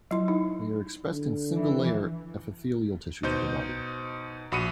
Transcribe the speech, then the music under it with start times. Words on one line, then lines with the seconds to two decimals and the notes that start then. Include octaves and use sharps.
They are expressed in single layer epithelial tissues of the body.
0.11 F#3 E4
0.28 D#4
1.12 D3
1.55 E3
3.23 B2 D#4 C5 G6
4.52 A#1 F#4 B5 D#6 C#7 D#7